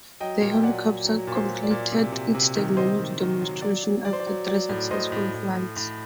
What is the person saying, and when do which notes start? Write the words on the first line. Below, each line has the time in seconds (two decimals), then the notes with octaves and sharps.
The helicopter completed its technology demonstration after three successful flights.
0.20 F#3 D#5 G5
0.41 A#2
0.52 G5
0.63 F#3 D5 F#5
0.84 F#3
1.06 F#3
1.27 A#2
1.35 C5
1.49 F#3
1.63 D5
1.70 A#2
1.92 C3
2.12 C3
2.34 C3
2.55 D#3
2.76 C3 C5 D#5
2.99 D#3
3.20 D#3
3.41 F#3
3.62 F#3 D5
3.84 F#3
4.05 F#3 D5
4.13 C5
4.20 D5
4.27 F#3
4.48 F#3 D5
4.69 A2
4.91 A2 C5 D#5
5.12 A2
5.34 A2
5.55 A2
5.76 A2